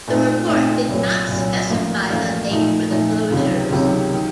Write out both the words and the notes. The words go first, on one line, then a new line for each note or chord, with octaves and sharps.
The report did not specify a date for the closures.
A#2 A3 C4 D#4
A#2 A3 C4 D#4
C2 A#2 F#3
C2 A#2 F#3
A1 A2 F3 A#3
A1 A2 F3 A#3
A#2 F3 A3 D#4
A#2 F3 A3 D#4
C#2 C3 D#3 F#3
C#2 C3 D#3 F#3
D#3